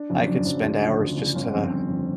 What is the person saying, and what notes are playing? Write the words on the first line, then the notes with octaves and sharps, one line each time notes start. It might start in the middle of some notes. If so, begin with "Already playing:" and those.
I could spend hours just, uh,
Already playing: D4
F2 C#3 F#3 C#4
F#1 D4
F2 C#3 F#3
D2
C#3 F3
D2
C#3 F3 D4
G1 C#4
F2 D3 C4
G1
F2 D3